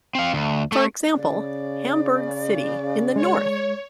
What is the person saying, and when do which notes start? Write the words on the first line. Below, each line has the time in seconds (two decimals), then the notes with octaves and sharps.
For example, Hamburg - city in the North!
0.15 C4 F5
0.34 D2
0.72 A3
1.15 C#3 D5
3.16 G#3 C#5